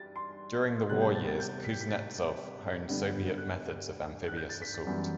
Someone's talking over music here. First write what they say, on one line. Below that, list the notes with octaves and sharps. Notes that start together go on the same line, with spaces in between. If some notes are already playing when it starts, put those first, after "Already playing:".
During the war years Kuznetsov honed Soviet methods of amphibious assault.
Already playing: G3 A6
C6
C3 G3 B3 F#6
G6
A6
A6
G6
B6
B6
A6
G2 D3 G3 B3
F#6
F#6
G6
A6
B6
A6
F#2 E3 G3 B3